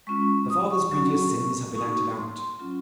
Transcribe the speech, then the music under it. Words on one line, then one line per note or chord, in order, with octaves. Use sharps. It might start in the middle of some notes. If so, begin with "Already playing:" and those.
The father's previous sins have been acted out.
G#3 C#4 F4 C#6
D#6
C#6
F#3 C#4 F#4 C#6
A#3 D#4 F#4 C#6
C6
F#3 C#4 F4